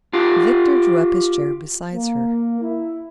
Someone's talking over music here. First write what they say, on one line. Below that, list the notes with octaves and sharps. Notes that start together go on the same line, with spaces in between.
Victor drew up his chair beside her.
F4 G4
A#3
E4